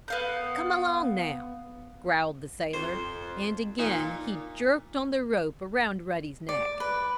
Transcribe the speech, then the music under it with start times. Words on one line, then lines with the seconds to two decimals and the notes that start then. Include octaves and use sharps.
"Come along now!" growled the sailor, and again he jerked on the rope around Ruddy's neck.
0.08 B3 F5 G6
2.74 F2 C5
3.79 A#2 D#4
6.49 D5
6.80 B4